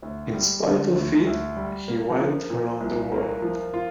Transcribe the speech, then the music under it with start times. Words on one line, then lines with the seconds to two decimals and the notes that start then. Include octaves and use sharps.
In spite of it he went round the world.
0.02 D2
0.33 G3
0.65 D3
0.95 D2
1.26 D2
1.57 G3
1.88 A#3
2.19 F3
2.50 A#2
2.81 C2
3.12 A#3
3.42 F3
3.74 F4